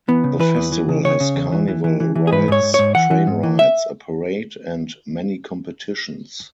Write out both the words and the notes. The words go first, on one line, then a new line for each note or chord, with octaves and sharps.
The festival has carnival rides, train rides, a parade, and many competitions.
E3 B3
C#3
E3 B4
E2
E3
C#3
C#3 C#5
C#3
E2
E3
E3
E3
E3
E3
G#4
G#2 B4
G#2 C#5
G#2
G#2 C#5
E3 F#5
E3
G#2
E3
E5